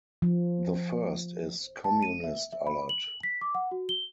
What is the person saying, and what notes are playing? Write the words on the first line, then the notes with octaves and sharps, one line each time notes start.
The first is Communist Alert!
F3
A5
D#7
E5
E5
B5
F#7
B6
D6
F#5
F#4
G7